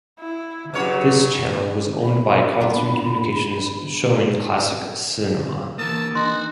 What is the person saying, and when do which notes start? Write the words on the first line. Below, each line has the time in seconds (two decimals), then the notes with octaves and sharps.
This channel was owned by Carlton Communications showing classic cinema.
0.20 E4
0.74 G2 C#3 F#3 C#5
2.03 B5
2.61 B3 D4
5.78 E3 A#3 A5 D#6 E6
6.15 D4 D#4 F#4 C6